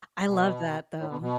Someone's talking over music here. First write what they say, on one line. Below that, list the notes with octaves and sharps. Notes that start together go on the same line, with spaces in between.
I love that though,
B2
A2
B2
B2